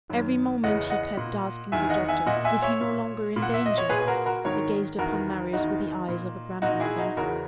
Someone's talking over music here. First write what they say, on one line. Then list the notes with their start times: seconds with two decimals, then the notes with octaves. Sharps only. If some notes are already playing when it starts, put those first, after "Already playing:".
Every moment, he kept asking the doctor: "Is he no longer in danger?" He gazed upon Marius with the eyes of a grandmother.
0.10 F#2 D#3
0.63 E2 C#3 E3 D#5 F#5
0.90 D#5 F#5
1.17 A#2
1.72 E2 D#3 E5 G#5
1.90 D#5 F#5
2.08 E5 G#5
2.26 A#2 D#5 F#5
2.45 E5 G#5
2.62 C#5 E5
2.81 A#2
3.36 A#2
3.42 F#5
3.54 E5
3.66 D#5
3.78 C#5
3.89 A#2 G#4 B4
4.01 G#4
4.08 F#4 A#4
4.26 F#4 A#4
4.45 G#2 D#3 A#4 C#5
4.99 E2 D#3 F#4 A#4
5.53 E2 D#3 D#4 F#4
6.08 A#2
6.62 A#2 D#4 F#4
6.80 E4 G#4
6.98 D#4 F#4
7.17 E2 C#3 E3 F#4 A#4